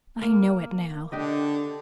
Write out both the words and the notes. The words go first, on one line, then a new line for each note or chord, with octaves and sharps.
I know it now.
A#3
D3 D4 G4 D#5